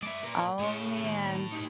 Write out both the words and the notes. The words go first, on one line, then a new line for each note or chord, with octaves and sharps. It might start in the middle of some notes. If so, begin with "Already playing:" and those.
oh man.
G#3 B4 D5 E5
A#2 A#4
A2 G#4 C#5
D#2
D#4 G4